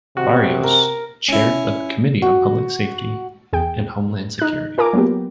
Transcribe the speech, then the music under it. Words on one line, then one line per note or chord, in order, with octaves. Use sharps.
Barrios chaired the Committee on Public Safety and Homeland Security.
C3 F#4
A#4
C#4 E4
F#4
E2 G#4 G5
D#4 F#6
F4 A#4 G#5 A#5 D6
F#3 A#3 B3 G4